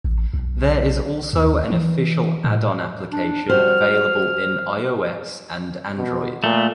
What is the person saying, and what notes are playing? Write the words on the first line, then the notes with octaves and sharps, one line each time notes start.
There is also an official addon application available in ios and android.
A1
B1
D#2
E3
A2
D4
G3 F#4 C5 F6
B2
A#2 A3